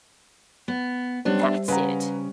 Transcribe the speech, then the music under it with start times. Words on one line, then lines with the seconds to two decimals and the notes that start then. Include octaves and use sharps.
"That's it."
0.68 B3
1.25 G3 B3 C#4 D4 G4 C5
1.43 E5
1.68 C#3 B4 F#5 A#5